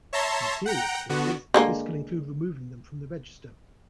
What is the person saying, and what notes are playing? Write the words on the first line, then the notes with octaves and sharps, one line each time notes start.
In serious cases, this can include removing them from the register.
C#5 E5 A5 A#5 C6
F#5 G5 A#5
D3 B3 F#4
D3 G#3 A#3